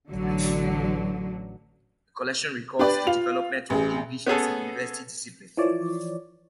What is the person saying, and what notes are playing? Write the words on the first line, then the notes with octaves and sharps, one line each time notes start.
The collection records the development of English as a university discipline.
A1 D3 F#3
D4 G4 B4 D5
F4 F7
A1 G#4
B3 C#4 G#4 A4
E3 F3 C#5 D5